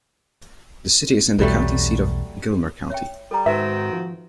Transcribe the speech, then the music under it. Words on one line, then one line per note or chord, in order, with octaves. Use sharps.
The city is the county seat of Gilmer County.
B1 E2 F#3 G3 A3
C#5 E5 G5
G3 A4 A#5
G#2 D#3 C4 F#4 B4 E5
F3